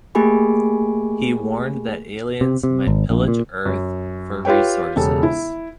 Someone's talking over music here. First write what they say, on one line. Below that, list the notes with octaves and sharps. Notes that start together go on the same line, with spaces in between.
He warned that aliens might pillage Earth for resources.
A3 A#3 G4 G#4 G#5 B5
C3
C3
G#1
A#1
A#2
F#2
F4 G4 B4 C#5 G5
E1 C#3 G4 A4
E4